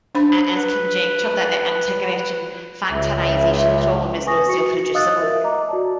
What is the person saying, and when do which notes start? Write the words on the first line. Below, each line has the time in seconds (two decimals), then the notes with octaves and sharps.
It is conjectured that the integer factorization problem is not self-reducible.
0.15 D4 C5 B5
0.54 B4
2.91 C#2 E5
4.26 B4 G#5 C#6 D#6 A#6
4.47 F#4 C#6 C#7
4.94 D#5 F5 D#6 E6 F#6 A6
5.19 A#4 E5
5.44 D#5 A#5 D6
5.68 F#4 D5 A5